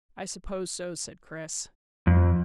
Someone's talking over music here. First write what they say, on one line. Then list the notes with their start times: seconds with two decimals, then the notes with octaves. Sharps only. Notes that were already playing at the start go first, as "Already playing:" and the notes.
"I suppose so," said Chris.
2.07 F2